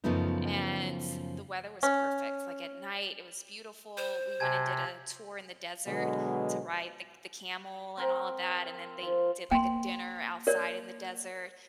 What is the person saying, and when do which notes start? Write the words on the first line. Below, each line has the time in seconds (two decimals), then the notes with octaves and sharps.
and the weather was perfect, like, at night, it was beautiful. We went and did a tour in the desert to ride the the camel and all of that, and then they did, like, a dinner outside in the desert,
0.04 F#2 C#3 F3 A3 B3 D#4
1.83 C#4
3.97 C5
4.40 C3 G#5 A5 G#6
5.86 B2 D3 F#3 G#3 B3
7.97 C4 A#4
9.02 F3
9.51 A#3 G5 C6
10.47 A#4 C#5 D5